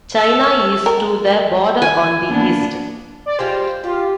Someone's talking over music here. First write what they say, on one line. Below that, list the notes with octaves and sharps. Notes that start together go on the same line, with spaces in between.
China is to the border on the east.
A4
A#4
G#5
A#3 B3 D4
D5
G3 G#3 F4 C5
F4 G4